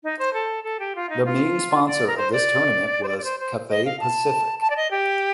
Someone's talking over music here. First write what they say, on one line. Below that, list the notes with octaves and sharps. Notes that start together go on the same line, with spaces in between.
The main sponsor of this tournament was Cathay Pacific.
D#4
C5
A4
A4
G4
F4
D#4
F4
D5
A#4
C5
D5
C5
D5
D5
C5
C5
D#5
F5
A5
A5
D5
D#5
G4